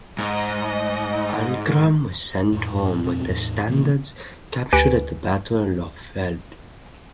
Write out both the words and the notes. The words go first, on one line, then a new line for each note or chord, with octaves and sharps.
Ancram was sent home with the standards captured at the Battle of Lauffeld.
G#2 D#5
F2 A2
F2 B2 B3 C4
E2 A2
A#2 D3 E3 A#3
D2 G4 B4 G#5 D7